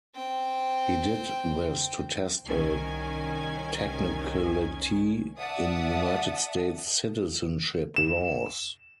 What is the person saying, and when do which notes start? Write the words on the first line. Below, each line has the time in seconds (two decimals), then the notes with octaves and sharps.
He did this to test a technicality in United States citizenship laws.
0.15 C4 G5
2.45 C2 D#3 C#4 G#5 G#6
5.40 D5 E5 F#5 A5 D#6
7.96 E7